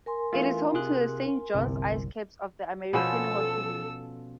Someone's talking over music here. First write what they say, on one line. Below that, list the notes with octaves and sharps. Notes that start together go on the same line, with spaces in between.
It is home to the Saint John's IceCaps of the American Hockey League.
A#4 G#5 C6
E3 A3 F4 F5
C3 G#4 F#6
G1 C2 C3
B2 F3 C#4 A4 C5 G#5 B5 E6